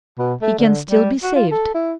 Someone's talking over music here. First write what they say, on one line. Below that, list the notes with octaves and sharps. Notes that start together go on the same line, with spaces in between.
He can still be saved.
B2
A3
D3
G3
F#4
F4
A4
E4